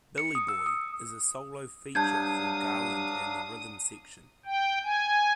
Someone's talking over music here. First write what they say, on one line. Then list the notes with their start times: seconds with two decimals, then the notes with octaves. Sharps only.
"Billy Boy" is a solo feature for Garland and the rhythm section.
0.18 C#7
0.35 D#6
0.48 E6
0.66 D#6
1.95 G2 F#3 D4 F5 A5 D#6 G6 G#6
4.46 G5
4.84 G#5